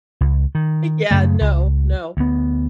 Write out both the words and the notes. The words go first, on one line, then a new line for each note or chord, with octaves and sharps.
Yeah, no, no.
C#2
D#3
F#2 C#3 A3
C#2
D2 B3